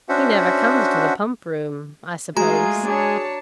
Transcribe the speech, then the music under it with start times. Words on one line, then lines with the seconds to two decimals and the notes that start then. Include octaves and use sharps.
"He never comes to the pump-room, I suppose?"
0.09 C#4 D4 F#4 C5 E5 F#5
2.37 G#3 A3 F4 F#4 G#4 A#5
2.87 D4 G#4 C#5 A5